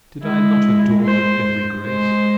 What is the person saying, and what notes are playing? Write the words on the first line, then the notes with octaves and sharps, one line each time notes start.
Did I not adore her every grace?
G#3 E4
C5
G#3 C5